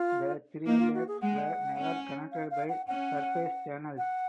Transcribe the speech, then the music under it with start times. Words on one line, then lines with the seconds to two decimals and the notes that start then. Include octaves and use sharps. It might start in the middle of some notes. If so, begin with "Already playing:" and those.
The three lakes were never connected by surface channels.
Already playing: F4
0.66 A#3 D#4
0.79 F4
0.94 F#4
1.08 G#4
1.21 G#3 F#5
1.77 C#4
2.32 F5
2.50 F5
2.69 F#5
2.88 C#4 F#5
3.98 F#5